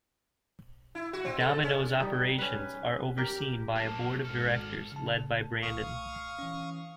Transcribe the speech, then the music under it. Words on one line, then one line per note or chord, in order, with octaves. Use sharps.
Domino's operations are overseen by a board of directors led by Brandon.
E4
F#4
C4
A4
C#4
G3 D#4
C#4 B4
G4 A#4
F#2 A#3 A5
G#1 F#4 A4 F6
C#3 A5
C2 A3 F5 C#6 D#6
E3 C#4